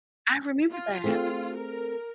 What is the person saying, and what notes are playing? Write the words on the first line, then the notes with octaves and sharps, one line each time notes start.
I remember that.
F4
A3 C4 G#4
A#4